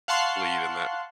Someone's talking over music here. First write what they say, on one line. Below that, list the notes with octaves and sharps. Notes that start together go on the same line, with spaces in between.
lead in that
F5 F#5 A5 C6 C#6 F#6